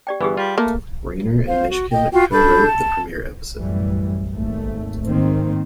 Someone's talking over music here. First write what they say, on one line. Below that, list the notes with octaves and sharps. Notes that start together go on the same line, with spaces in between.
Reiner and Mishkin co-wrote the premiere episode.
G4 D5 G5
G1 E3 B3 G4 G#4 B4
G3 F4
A3 A#3
C5 F5
F#4
D#5 G5
F4 F#4 F5 G5
D4 A4 B5 G6
A5
A1 F#2 A2 E3 G3
G#1 D#2 A3
G#2 D#3 A#3 C4